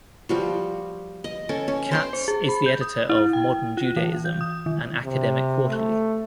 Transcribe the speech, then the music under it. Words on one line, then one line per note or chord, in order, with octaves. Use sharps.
Katz is the editor of "Modern Judaism", an academic quarterly.
F3 G3 F#4
D#5
C#4 A4
C#4
C5 G5 C6
C5
G#4
B5
G6
D#6
E4
G5
F4
E3
G6
D#6
D#3
C3
A3